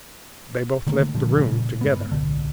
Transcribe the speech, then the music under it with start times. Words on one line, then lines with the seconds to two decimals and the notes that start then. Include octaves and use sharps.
They both left the room together.
0.87 D3 D#3 A3 A#3
1.15 A#2 D3 F3 G3
1.37 A#2 C#3 F#3 G3
1.81 G2 G#3 B3
2.12 D1 B1 B2 D3